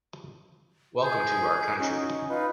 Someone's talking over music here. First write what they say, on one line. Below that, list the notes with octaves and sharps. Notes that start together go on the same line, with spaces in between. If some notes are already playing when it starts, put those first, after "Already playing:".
Welcome to our country.
G#4 G#5 G6
C#4 D#4 F#4
D#4 F4 B4